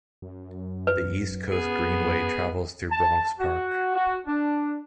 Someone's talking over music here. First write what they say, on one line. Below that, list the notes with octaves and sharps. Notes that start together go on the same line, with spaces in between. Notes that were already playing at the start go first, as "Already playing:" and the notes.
The East Coast Greenway travels through Bronx Park.
F#2
B4
B3 G#4
A5
F#4
F#4
D4